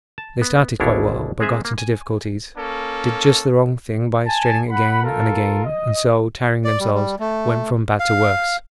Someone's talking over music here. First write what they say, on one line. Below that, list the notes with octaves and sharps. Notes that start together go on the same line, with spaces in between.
They started quite well, but got into difficulties, did just the wrong thing by straining again and again, and so, tiring themselves, went from bad to worse.
A5
B3
G#1 D2 B2 D4 E4 C#5
G#3 C4 G#4 E5
A#3
G#5
A#3 C#4 A4
G#5 A5
F#5 B5
F4 A4 A#4
D#5
D5
G3
G3
A3
F5